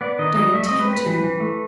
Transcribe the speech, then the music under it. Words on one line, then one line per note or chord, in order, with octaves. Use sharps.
'Don't intend to.
B3 D5
D#3 D#5
G3 D#5
A3 E5
C4 D#5
B4
C4
B4
E3
E3
A3